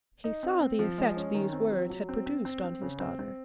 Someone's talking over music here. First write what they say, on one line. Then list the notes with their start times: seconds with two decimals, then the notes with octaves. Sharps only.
He saw the effect these words had produced on his daughter.
0.24 D#4
0.43 C4
0.61 C4
0.79 F3
0.98 G#3
1.16 C#4
1.34 D#3
1.53 C4
1.72 F#3
1.90 F#3
2.09 C4
2.26 C4
2.45 C4
2.64 C4
2.82 C#3
3.00 C4
3.19 C4